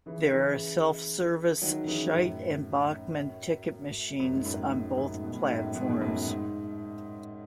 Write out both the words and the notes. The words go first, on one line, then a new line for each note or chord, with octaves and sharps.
There are self-service Scheidt and Bachmann ticket machines on both platforms.
C#3 E3
C#3 E3
D#3 F#3
C#3 E3
F#2 A2
F#2
G#2
F#2 A2
G#2
G#2
F#2 A2
G#2
B2
A2
G#2
F#2 A2
G#2 B2
G#2 B2
F#2 A2
A2
G#2